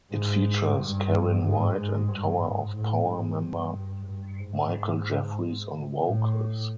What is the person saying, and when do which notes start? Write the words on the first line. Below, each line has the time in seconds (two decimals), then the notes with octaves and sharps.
It features Karyn White and Tower of Power member Michael Jeffries on vocals.
0.11 G#2
0.76 G2
1.42 G#2
1.75 G#2
2.08 G2
2.41 G#2
2.74 A2
3.07 G#2
3.40 G2
4.06 G2
4.39 G#2
6.03 A2